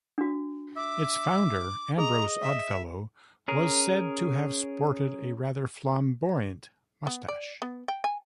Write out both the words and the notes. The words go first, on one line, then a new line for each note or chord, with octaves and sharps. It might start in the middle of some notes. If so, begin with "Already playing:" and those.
Its founder, Ambrose Oddfellow, was said to have sported a rather flamboyant moustache.
D4 F#4
E5 D6
G#4 D#5 A#5
E5
C#4 G#4 A#4
B3
D5
B3
G5
G#5